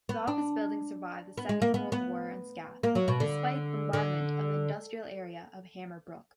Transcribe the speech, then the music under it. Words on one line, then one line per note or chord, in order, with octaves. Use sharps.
The office building survived the Second World War unscathed, despite bombardment of the industrial area of Hammerbrook.
B3
D4
B3
G#3
A#3
B3
B3
A#3
F#3
B2
D3
D3